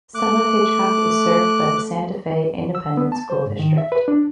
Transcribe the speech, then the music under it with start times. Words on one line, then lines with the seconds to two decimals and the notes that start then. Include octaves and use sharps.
Some of Hitchcock is served by the Santa Fe Independent School District.
0.15 A3 D6 F#6
2.75 E6
2.97 B3
3.12 A5
3.30 C5
3.46 G#2
3.59 D#3
3.78 E5
3.92 B4
4.08 D4